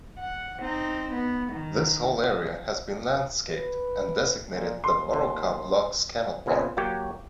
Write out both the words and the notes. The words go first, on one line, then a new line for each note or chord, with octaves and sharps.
This whole area has been landscaped, and designated the Borrowcop Locks Canal Park.
F#5
C4 D#4
B3
D#3
B4
A#2
D#2 C6
A#2 C#3 B3 C4
F#3 A#3 F#4 G4 C#5